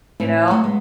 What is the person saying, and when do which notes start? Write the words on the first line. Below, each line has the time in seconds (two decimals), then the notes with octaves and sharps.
You know?
0.20 A2 C4 E4
0.50 F#3 A3 F#4 C#5 D#5
0.64 G#3 B3